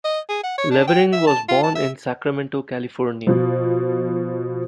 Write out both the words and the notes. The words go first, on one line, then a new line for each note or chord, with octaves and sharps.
Levering was born in Sacramento, California.
D#5
G#4
F#5
C#5
D4
G5
E5
A5
F4
A5
E5
B2 F3